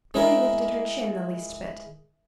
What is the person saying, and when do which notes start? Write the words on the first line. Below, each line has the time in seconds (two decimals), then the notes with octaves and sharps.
Billy lifted her chin the least bit.
0.14 G#3 E4 A#4